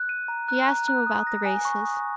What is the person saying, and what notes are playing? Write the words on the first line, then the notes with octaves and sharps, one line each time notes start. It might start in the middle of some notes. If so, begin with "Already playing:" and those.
She asked him about the races.
Already playing: F#6
D#7
A#5
F#6
A#5
F#6
D#6
A#6
G#5
C#6
D#6